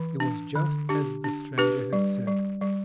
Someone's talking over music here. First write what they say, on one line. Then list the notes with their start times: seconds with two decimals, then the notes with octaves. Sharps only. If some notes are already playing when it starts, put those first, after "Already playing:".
It was just as the stranger had said.
Already playing: E3
0.20 D4
0.56 D3
0.89 D4 G4
1.24 D4
1.58 D4 G4 B4
1.93 G3
2.27 G3
2.61 G3